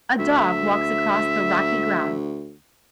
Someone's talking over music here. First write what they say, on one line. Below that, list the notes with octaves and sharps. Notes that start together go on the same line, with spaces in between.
A dog walks across the rocky ground.
D2 E5